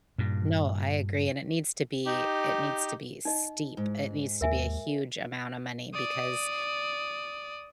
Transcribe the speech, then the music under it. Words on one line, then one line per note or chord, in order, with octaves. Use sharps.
No, I agree, and it needs to be it needs to be steep, it needs to be a huge amount of money because
G2 A#2
D#4 G4
D#4 D#5
G#2
D#2 A#4 E5 G#5
D5 D#6